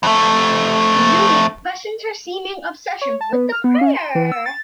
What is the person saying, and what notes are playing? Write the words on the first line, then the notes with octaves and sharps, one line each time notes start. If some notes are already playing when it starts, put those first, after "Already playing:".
Zooey questions her seeming obsession with the prayer.
F2 A3
C#5
A5
B3
F6
B3
C#4
C6
E3
E6
A6